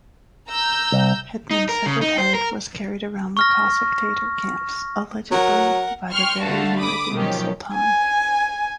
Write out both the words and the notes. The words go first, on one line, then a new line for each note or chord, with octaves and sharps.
Hetman's severed head was carried around the Cossack-Tatar camps, allegedly by the very Nuradin-Soltan.
A#5 E6 G6
C2
D#4
A#4
C#3
D#4
C5
A#4
C#6 F6 A#6
F#3 A#4 F#5
G5 C6 C#6 F6
D3 A3 F#4 F5 A5
B5 D6 D#6
B2 D#3 F3 F#3 C#4 G4
G#5